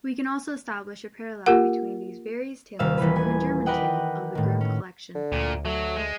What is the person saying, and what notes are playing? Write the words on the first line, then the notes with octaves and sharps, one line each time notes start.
We can also establish a parallel between these various tales and a German tale of the Grim collection.
A#3 F4 G4 A#4 F#5
D#1 C3 F5 E6
D#1 E3 B4
B3 G#5
A#4 B4 D5 D#5 F#5 G5
A2 D#3
C#4
D3
D2 A#2
F#3 A3
G#3